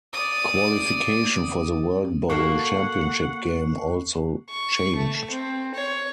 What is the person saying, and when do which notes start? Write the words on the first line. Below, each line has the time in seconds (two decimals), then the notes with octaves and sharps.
Qualification for the World Bowl championship game also changed.
0.13 D5 D#6
2.30 A#3 F#4 A4 F#5 C#6 C7
4.50 C#6
4.95 A3
5.31 C4
5.74 C#5